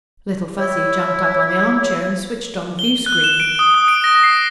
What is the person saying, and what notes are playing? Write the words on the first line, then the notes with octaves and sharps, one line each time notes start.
Little Fuzzy jumped up on the armchair and switched on the viewscreen.
E4 C#5
G7
F#6
E7
D7
D#6
D#6
D7
A#6
C7